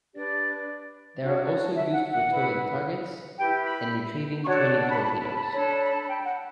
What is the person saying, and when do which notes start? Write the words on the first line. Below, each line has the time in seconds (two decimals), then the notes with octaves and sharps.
They are also used for towing targets and retrieving training torpedoes.
0.13 D4 G4 B4 D5
1.21 D4 F#4 C#5
1.75 E5
1.93 F#5
2.11 F#5
2.29 E4 B4
3.36 E4 G4 B4 G5
3.64 B5
4.44 D4 F#4 A4 C#5 C#6
4.80 A5
4.88 B5
4.96 A5
5.03 B5
5.11 A5
5.19 B5
5.27 A5
5.34 B5
5.42 A5
5.50 D4 A4 C#5 B5
5.58 A5
5.66 B5
5.74 A5
5.81 B5
5.89 A5
6.02 A5
6.06 G5
6.24 F#5